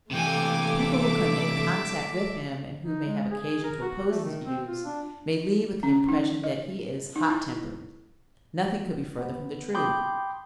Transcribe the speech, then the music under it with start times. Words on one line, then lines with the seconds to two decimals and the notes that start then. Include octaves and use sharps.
People who come in contact with him and who may have occasion to oppose his views, may leave with the impression that he is hot-tempered; nothing could be further from the truth.
0.11 C3 E3 A3 G5 G#5 D6
0.79 E5
2.87 D#4
3.06 G#3
3.31 G#4
3.64 A#4
3.82 F#4
4.10 A3
4.25 D#3
4.46 C4
4.67 F4
4.86 D4
5.83 C#4
6.09 D#4
6.44 D#5
7.16 D#4
7.30 E4
9.19 B3
9.74 G5 B5 C6 D6 D#6 G6